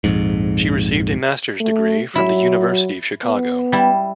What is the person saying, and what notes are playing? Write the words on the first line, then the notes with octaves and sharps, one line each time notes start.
She received a master's degree from the University of Chicago.
A#1 F2 G#2
A3
F#3 E4
B3
G3 E4